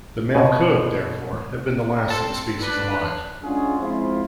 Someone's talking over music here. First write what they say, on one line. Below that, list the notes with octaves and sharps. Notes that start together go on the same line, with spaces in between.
The male could, therefore, have been the last of the species alive.
B2 G#5
C4 A4 C6
D4 B4
G#3 C#4 D4 F4 F#4 G#4
F3 G#3 C4 E4 F4